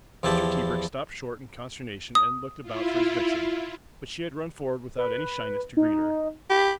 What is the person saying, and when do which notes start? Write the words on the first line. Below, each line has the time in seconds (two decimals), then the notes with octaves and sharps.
Mr. Tebrick stopped short in consternation and looked about for his vixen, but she had run forward without any shyness to greet her.
0.23 E2 F3 E4 G4 A5 B5
2.15 D#6
2.62 E4 F4
4.98 B4
5.77 D#4
6.50 G4 B5